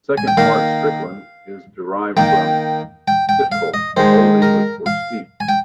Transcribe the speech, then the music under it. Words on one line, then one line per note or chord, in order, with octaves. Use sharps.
The second part "Stickland" is derived from "sticol", Old English for "steep".
G#5
G5
D#3 A#3 F5
D#3 A#3 G5
G5
G5
F5
D#5
D#3 G#3 C5
A#4
F5
G#5
G5